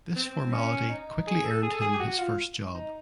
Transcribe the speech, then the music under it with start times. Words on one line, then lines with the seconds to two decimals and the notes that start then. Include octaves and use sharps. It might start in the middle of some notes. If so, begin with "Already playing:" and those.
This formality quickly earned him his first job.
0.16 C4
0.52 C#4
0.89 D#4
1.27 G#4
1.44 A4
1.63 G#4
1.72 A4
1.81 G#4
1.94 G4
2.00 F#4
2.18 F4
2.74 D#4